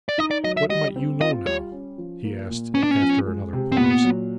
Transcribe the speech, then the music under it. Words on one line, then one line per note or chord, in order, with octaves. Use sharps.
"What might you know, now?" he asked after another pause.
D5
D#4 D#5
D5
F#3 D#5
E5
G3 D#5
C4
F4 D#5
G3 C#5
C#4
F3
A#3
A#2
B3 C#4
D4
C#4
F3
G#3
C3
C4
A#2 B3
F#3